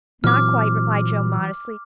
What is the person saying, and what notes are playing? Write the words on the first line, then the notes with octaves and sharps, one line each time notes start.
"Not quite," replied Jo modestly.
A#2 E3 F#3 C4 D6 F6